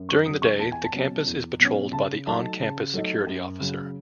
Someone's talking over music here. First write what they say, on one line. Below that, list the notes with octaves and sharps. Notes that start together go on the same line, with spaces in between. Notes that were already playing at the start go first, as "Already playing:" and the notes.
During the day, the campus is patrolled by the on-campus security officer.
Already playing: F#2
C#6
C#3 F#3 D#6
C#6
E2 A5
G#5
A5
B2 F#3 C#4
E2
B2 F#3 C#4
C#3 A5
F#3 A3 D#4 A5
C#3
F#3 A3 D#4
F#2
C#3 F#3